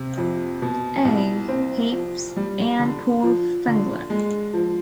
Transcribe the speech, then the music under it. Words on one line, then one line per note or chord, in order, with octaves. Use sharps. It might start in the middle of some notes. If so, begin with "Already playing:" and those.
A. Heaps and Paul Fengler.
Already playing: C3
F2
B2
C2
C4
F3
G3
D3
F3
D3
G#3
F3